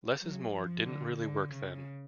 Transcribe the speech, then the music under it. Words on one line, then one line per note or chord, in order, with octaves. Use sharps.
'Less is more' didn't really work then.
F#3
F3
D3
D3
C#3